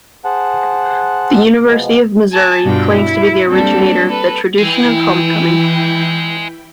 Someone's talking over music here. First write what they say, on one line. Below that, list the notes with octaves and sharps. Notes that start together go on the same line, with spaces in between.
The University of Missouri claims to be the originator of the tradition of homecoming.
G#4 C5 F#5 A5 F#6
B2 F3 G#3 B3
G#5 A5 D6
G2 B2 D4 F4 G5
E4
G3 A#3 C4 D4 A4
A4 B4
E3 E4 D#5 G5 G#5